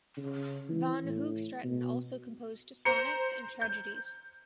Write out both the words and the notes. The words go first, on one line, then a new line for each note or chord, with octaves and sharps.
Van Hoogstraten also composed sonnets and tragedies.
C#3
E3
A2
B2
C5 A#5 C#7
G6